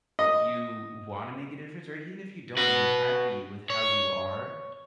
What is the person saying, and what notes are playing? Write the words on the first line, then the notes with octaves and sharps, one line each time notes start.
you wanna make a difference, or e even if you don't and you're happy with how you are,
D#5
F#4 B4
C#5